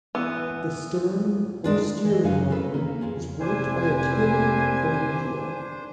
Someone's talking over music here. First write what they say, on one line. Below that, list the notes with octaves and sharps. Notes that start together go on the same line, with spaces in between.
The stern or steering runner is worked by a tiller or wheel.
E3 B3
G#3 D4 F4
E3 D#5
F#2 C3 G4 B4 F5 G#5
F4 A4 B4
A#3
F2 F4 G#4
F1 C3 D4 E4 G4 C5 G#5